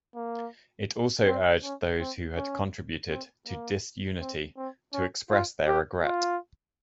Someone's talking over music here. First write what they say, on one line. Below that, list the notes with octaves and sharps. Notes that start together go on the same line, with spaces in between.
It also urged those who had contributed to disunity to express their regret.
A#3
C4
C#4
C4
C#4
C4
A#3
C4
C4
C#4
F4
G4
F4